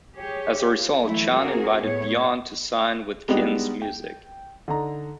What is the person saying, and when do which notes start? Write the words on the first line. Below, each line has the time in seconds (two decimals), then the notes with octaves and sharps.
As a result, Chan invited Beyond to sign with Kinn's music.
0.18 G4 G#4 C#5
0.77 F4
1.05 E3 F#3 A3 E4
1.37 C4 F#4 G#4 A#4
1.83 A2 B3 C#5
3.28 G3 G#3 B3 D4 D#4 G4
3.82 G5
4.68 D3 D#4 A#5